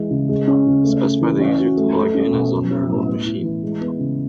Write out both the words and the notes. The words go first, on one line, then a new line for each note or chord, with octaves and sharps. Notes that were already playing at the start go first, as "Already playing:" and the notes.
Specify the user to log in as on the remote machine.
Already playing: E3 G#3
C#3
G#3
C#4
C#3
A3
C#4
E3
C#4
F#4
A3
A3
C#4
B2
F#3
C#4
A2
B3
E4
E3
G#3
B3
C#3